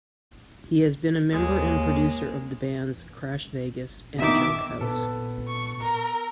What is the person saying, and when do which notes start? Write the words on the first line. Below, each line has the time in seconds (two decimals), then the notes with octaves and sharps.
He has been a member and producer of the bands Crash Vegas and Junkhouse.
1.32 D#2 G#3 A#3
4.19 B2 D#3 E5 D6
4.81 A#2 B3 A4
5.47 C#6
5.80 A#4